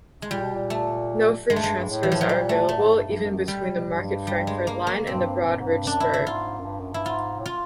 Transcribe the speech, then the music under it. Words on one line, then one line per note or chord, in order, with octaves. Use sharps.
No free transfers are available, even between the Market-Frankford Line and the Broad-Ridge Spur.
G#3
A#2 G3
B2
A#2
A3
G2 G#3
A3
G2 G#3
G2
A2
E3
F3
F#3
A#2 G3
A3
A#2 A3
G#2
A2
G2
G2
G2
F#2
G3
G2
G3
G#3
A#3
A#3
G2 C4
G2
G#2
G2
F#2 D4
E4
G2
E4
G2
G#2 F4
F#2
G2
F#2
G2 E4
G#2 F4
A2
F4